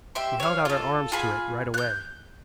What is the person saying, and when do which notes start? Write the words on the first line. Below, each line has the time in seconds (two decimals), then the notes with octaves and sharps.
She held out her arms to it right away.
0.15 G4 E5 C6
0.40 C#5 F5
0.65 F4 A4
1.12 F4 G#4 B5
1.74 F#6 G6